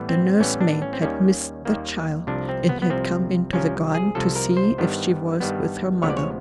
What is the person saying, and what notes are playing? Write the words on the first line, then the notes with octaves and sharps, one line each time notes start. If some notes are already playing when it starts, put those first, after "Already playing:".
The nursemaid had missed the child, and had come into the garden to see if she was with her mother.
Already playing: A2 E3 G3 B3
C4
A2 E3 G3 B3 C#4
D4
C#4
C4
D#2 D#3 G3 A#3 C#4
D#2 D#3 G3 A#3
C2 C3 F3 D4
C4
B3
B3
C2 C3 F3 C4
C2 C3 F3 C#4
G#4
C2 C3 F3 A4
A#4
C5
G2 D#3 G3 B3
G2 D#3 G3 B3
D2 C3 F3 G#3 B3 C#5
D5
C#5